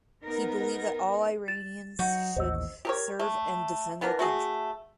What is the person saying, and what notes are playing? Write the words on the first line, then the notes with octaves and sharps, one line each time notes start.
He believed that all Iranians should serve and defend their country.
B3 D#4 A#4
A6 E7
F#3 D#4 F#4
A1 D#2 C5 D#5 E6
G4 A#4 C#5
A3
E3 B3 D4 A#4
A3 F#4 G#4